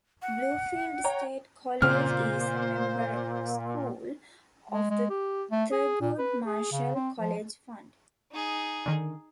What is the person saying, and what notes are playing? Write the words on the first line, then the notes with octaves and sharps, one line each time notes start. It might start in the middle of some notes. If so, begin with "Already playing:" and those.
Bluefield State College is a member school of the Thurgood Marshall College Fund.
F#5
C#5 G5 A#5
A#2 C#3 C4 C#4 C5 F6
G#3
G#3
G4
A3
G#4
A#2
B4
G#4
C#3
C4
F3
D#4 G#4
D3 D#3